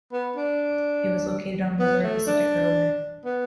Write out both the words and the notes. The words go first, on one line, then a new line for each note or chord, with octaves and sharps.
It was located on the Missouri Pacific Railway.
B3
D4
B3
A3
D4
B3